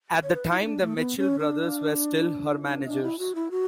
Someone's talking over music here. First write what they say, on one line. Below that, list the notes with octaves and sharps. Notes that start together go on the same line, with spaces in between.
At the time the Mitchell Brothers were still her managers.
C#5
B4
E4
E4
D4
A3
B3
C#4
D4
D4
E4
F#4
E4
F#4